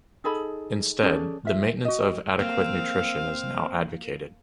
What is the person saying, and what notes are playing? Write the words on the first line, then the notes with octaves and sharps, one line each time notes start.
Instead, the maintenance of adequate nutrition is now advocated.
D#4 G#4 A4 B5
C#4 G#4 A4 D5
F4 E5
F#4 D#5
A#3 C4 F5